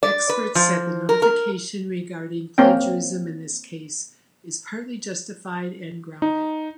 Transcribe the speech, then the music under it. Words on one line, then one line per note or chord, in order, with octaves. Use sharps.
Experts said the notification regarding plagiarism in this case is partly justified and grounded.
D5
B4
F3
A#4
A#4
A#3 C4 C#4 G5
D#4